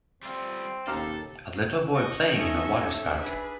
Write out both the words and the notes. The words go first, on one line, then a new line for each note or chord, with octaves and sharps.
A little boy playing in a water spout.
G3 C4 F4
D#2 A4 F5 A#5 D6
D#5 C#6
C#4 D#4 A4 E5
D4 G#4 B4